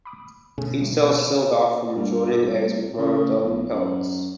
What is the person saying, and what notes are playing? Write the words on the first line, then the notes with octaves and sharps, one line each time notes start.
Each cell is sealed off from adjoining eggs with mud or dung pellets.
B5 D6 D#6
B2 D3 A3 C#4 G#4
E2 G3 A3
G#2 F3 A#3
E7
G2
C2
C#3
B1
F#2